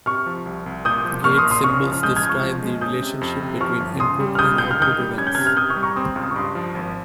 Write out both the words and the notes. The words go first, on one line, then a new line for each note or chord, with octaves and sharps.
Gate symbols describe the relationship between input and output events.
C3 C#6 F6
F3
C2
C2
A#2 D#6 G6
F3
A#3 C#6 F6
C6 D#6
A#1
C6 D#6
C#3 C#6 F6
F3
F6
G#3 D#6 G6
F6 G#6
C#2
C#6 F6
F3
G#3
C#4 D#6 G6
C3
F2
C3
F3 C#6 F6
G1
C#3 C6 D#6
G3
F6
C#2 D#6 G6
C#2 G6
F6
D#3 D#6 G6
G3
C#4 G#6
G6
F6 G#6
C3
F6
C3 D#6 G6
C#6 F6
G3
A#5 C#6
C4 C6 D#6
C#2 F6
D#6
C#6
G2 C6 D#6
F3
G#1